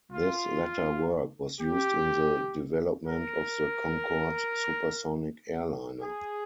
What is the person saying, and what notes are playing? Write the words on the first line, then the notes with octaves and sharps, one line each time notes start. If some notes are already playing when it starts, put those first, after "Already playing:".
This latter work was used in the development of the Concorde supersonic airliner.
F4
G4
A#4
G#4